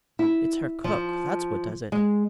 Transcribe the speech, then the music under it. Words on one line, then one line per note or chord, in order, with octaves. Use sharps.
It's her cook, that's what does it.
E4
F3
G#3